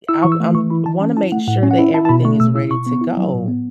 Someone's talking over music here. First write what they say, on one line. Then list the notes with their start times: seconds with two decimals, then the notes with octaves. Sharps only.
I've I'm wanna make sure that everything is ready to go,
0.09 E4 E6
0.23 E3 C#6
0.32 E6
0.40 A3
0.55 E3 C#6
0.70 E4 B5
0.85 E3 A5
1.01 C#4 A5
1.17 E4 A5
1.32 A3 F#5
1.48 A2 F#5
1.63 C#4
1.71 F#5
1.78 E4
1.94 E4 A5
2.05 A5
2.09 B2 B5
2.25 A3 C#6
2.40 B2 E6
2.55 E4 E6
2.71 B2 C#6
2.87 B3
3.01 E4
3.17 F#3
3.33 A2
3.48 B3